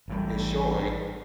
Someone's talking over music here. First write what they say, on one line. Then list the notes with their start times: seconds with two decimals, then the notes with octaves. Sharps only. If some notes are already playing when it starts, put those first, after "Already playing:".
is showing
0.08 A1 A2 G3